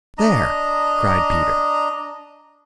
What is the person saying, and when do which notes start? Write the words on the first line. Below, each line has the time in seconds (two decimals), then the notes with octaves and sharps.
"There!" cried Peter.
0.18 D4 D#5 A#5